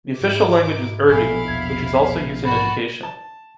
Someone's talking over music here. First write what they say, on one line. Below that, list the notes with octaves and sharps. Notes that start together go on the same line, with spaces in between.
The official language is Urdu, which is also used in education.
G#2 D#4 E4 D6
A#1 B2 E4 A4 F5 G#5
E2 G#6
G#2 F#4 A5 B5 A6
A5